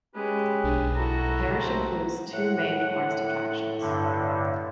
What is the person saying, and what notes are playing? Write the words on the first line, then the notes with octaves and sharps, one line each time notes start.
The parish includes two main tourist attractions.
G#3 C#4 G4 B4
B1 D4
E4 F#4 A4 A#5
D#2 C3 C5
A2 F#5
G2 D3